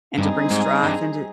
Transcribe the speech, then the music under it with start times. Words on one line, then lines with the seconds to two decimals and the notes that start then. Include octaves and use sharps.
and to bring strife into
0.17 G2 G3 C4 D#4 G#4
0.50 G#2
0.83 G2